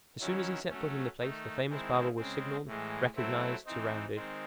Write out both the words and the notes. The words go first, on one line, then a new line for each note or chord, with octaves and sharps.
As soon as he set foot in the place the famous barber was signaled, recognized, surrounded.
D#3 F#3 C#4 E4
F#3 A3 C#4
D#3 A3 D#4
D#3 G#3 C4 E4
C#3 G#3 C4
A2 E3 G#3
F#3 A3 C4 E4
E3 C4 D#4
D#3 G#3 C4